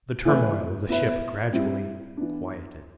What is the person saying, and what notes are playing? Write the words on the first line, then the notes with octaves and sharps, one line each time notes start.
The turmoil of the ship gradually quieted.
E3 A3 E4 B4
B3 E4 B4 E5
G3 C4 E4
E3 B3 D4